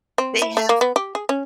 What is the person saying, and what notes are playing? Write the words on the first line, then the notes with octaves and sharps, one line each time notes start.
they have
C4
E4
A3
A#3
B3
G4
G#4
C#4